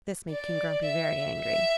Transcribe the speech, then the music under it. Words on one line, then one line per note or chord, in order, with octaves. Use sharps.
This made King Grumpy very angry.
D5
E5
E5